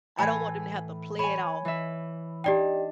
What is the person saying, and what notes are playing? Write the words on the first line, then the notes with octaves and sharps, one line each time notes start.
I don't want them to have to play it off
A2 E3 G#5 G#6
C#5 G#5 B5
E3 E5
D4 D#4 G4 D5 G5